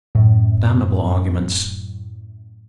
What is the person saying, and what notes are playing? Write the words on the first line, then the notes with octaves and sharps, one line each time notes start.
Damnable arguments!
F#2 A2